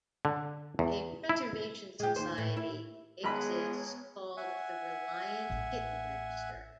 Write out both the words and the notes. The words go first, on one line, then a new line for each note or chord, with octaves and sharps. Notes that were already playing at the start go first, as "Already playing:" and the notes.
A "Preservation Society" exists called the Reliant Kitten Register.
D3
E2
E4
G#3 G4
D#2 C5
A2
E4
G#1 G#3 B3 C#5 B5 F#6
E5 F#5 G#5
A1